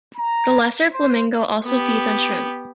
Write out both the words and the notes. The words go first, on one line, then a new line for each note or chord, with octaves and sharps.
The lesser flamingo also feeds on shrimp.
A#5
C5
B3 G4